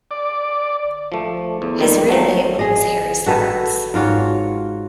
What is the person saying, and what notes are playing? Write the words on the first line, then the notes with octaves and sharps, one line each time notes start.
His real name was Harry Severns.
D5
F3 A3
E2
F2 D#3 G3
F3 F#3 A3
G#4 D#5
F#4 A4 B4
G#2 F4 F#4 C#5